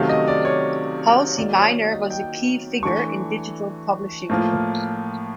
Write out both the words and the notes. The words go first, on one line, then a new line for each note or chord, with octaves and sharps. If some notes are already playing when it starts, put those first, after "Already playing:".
Halsey Minor was a key figure in digital publishing.
Already playing: C3 D#3 F#3 A3 C#4 F5
D#5
D5
C#5
D#3 F#3 A#3 D5
C#5
D#5
G5
E3 A3 D4 C#6
A2 F3 A#3